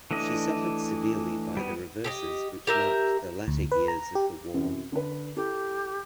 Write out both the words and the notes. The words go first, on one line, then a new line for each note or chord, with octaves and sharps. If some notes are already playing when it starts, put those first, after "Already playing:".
She suffered severely by the reverses which marked the latter years of the war.
E3 A3 D4 D#5
G3 B3
G4 G#4 D#5
G4 A#4 E5
D2
B4
A#5
G4
F#2 C3 E3
D3 B4
E4 G4 A4